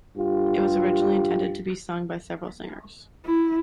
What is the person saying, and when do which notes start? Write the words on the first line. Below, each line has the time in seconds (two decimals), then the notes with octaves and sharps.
It was originally intended to be sung by several singers.
0.16 G2 F4 G4
3.25 E4